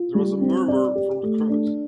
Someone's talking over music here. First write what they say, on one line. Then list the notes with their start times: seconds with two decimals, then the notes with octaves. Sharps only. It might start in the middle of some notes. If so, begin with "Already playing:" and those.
There was a murmur from the crowd.
Already playing: F4
0.15 G3
0.41 C4
0.68 D5
0.95 G4
1.23 A3
1.49 D4